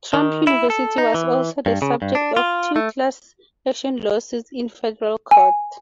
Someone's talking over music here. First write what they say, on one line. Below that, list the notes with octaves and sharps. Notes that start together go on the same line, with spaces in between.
Trump University was also the subject of two class action lawsuits in federal court.
D#3
E4
A4
D#4
E3
G2
C#3
G2
D4
F4
A3
G#5